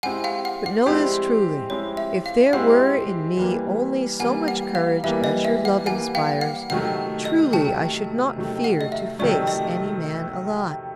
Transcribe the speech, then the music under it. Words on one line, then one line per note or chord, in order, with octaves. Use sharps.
But know this truly: if there were in me only so much courage as your love inspires, truly I should not fear to face any man alive.
G#3 C4 E4 G4 F#5 G#5
F5 G5
F#5
F#5
G#3 C4 E4 G4 D5
G#3 C4 E4 G4 C#5
E5
F5
G#3 C4 E4 G4 F#5
E3 G3 A#3
E3 G3 A#3 F#5 G#5
F#5
F5
E3 G3 A#3 E5
D#5
E5
F#5
E3 G3 A#3 F#5 G#5
F5 G5
F#5
C3 D#3 F#3 A3 F#5
D#5
C3 D#3 F#3 A3 G5 A5
C3 D#3 F#3 A3
F#5
D#5
E5
C3 D#3 F#3 A3 D5
D#5